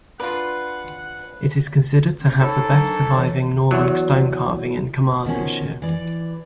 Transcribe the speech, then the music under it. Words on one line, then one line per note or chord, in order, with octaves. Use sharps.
It is considered to have the best surviving Norman stonecarving in Carmarthenshire.
D4 F4 B4 F#5 C6
C#4
G#2 A4 C#5 F#5 B5
F#3 D4 A#4
E3 C#5
E2 F#3
B2 D#3 F3 C#4
E3 D5